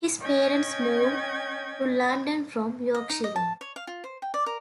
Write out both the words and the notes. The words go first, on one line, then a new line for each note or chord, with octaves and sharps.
His parents moved to London from Yorkshire.
C#4 D#5 G5 G6 G#6
D#5
D#4
D#5
A5
C#5
F5
F4
C5
G5
D5
A#4